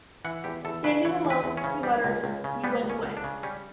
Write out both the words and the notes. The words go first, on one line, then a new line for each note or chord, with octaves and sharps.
Standing alone, he mutters: You went away.
E3 F#5
E2 G4
E2 A4
C#3 B4
E3 C#5
E2
B4
E2
C#4
C#3
G3
C#2
C#2
C#3
G3 B3
C#2
C#4
C#2
D4
C#3
G3 C#4